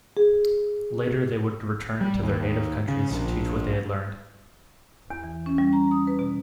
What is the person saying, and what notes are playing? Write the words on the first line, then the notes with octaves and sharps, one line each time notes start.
Later they would return to their native countries to teach what they had learned.
G#4
G3
D#2
C#3
A#1
E2
E3
C#4
G3
A#5
D#6
B4
B2